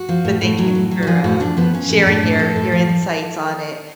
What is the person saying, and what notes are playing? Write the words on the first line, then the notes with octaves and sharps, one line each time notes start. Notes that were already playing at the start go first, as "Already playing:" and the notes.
but thank you for, uh, sharing your your insights on it,
Already playing: F#4
F3
A2
A2
F#3
A2
F#3
F#4
F3 G#4
A2 F#4
A2 D4
F3 B3
F3 C#4
A2
A2 D4
A2
F3 A4
A2
F3
F3